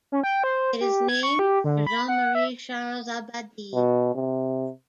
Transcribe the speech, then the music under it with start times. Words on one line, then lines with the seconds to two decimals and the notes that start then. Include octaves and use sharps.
It is named for Jean Marie Charles Abadie.
0.12 C#4
0.24 G5
0.44 C5
0.81 G4
1.09 G#6
1.23 C#6
1.39 G4
1.64 D3
1.87 B5
2.08 F#5
2.35 E5
3.74 B2
4.15 C3